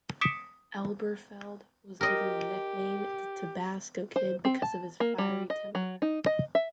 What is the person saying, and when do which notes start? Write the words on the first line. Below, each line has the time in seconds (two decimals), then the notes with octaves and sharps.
Elberfeld was given the nickname "The Tabasco Kid" because of his fiery temper.
0.21 D6 D#6 B6 C#7 D7 E7
2.01 G4 A#4 D#5
4.16 C5
4.45 C4
4.62 A5
5.00 A#3
5.18 G3
5.50 D#5
5.75 F#3
6.02 D#4
6.26 D#5
6.55 E5